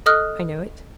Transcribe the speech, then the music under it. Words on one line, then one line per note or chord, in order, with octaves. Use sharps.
"I know it."
A4 D#5 D#6 F6 F#6